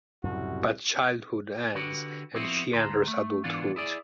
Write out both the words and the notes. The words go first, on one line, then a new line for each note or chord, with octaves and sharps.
But childhood ends and she enters adulthood.
C2 F#2 A2 C#3 F#4
D3 F#4 G4 B4
F3 B3 C4 E4 F#4
D2 A5 A#5 C6
A3
G#2 E3 B3 D4 F4
E4 G#4 D5